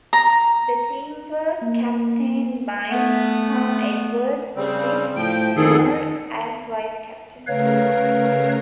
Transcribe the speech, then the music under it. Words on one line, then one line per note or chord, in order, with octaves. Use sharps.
The team were captained by Pam Edwards, with Muir as vice-captain.
A#5
A#3
A3 B3
C#3 G3 C4
A2 F3 G5
F2 D#3 G#4 A4
C#3 A3 A#4 B4 C#5 F5